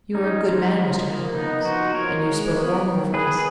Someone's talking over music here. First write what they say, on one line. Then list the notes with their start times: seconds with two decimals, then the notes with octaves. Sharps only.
You are a good man, Mr. Halifax, and you spoke warmly for us.
0.15 C#4 D#4
0.44 F3
0.75 F3
1.05 A#3
1.35 B3 D#4
1.65 F3 D#4 F#4
1.94 F3 A#4 C#5
2.24 G#3
2.54 B3
2.84 D#3
3.14 D#3 G#4 B4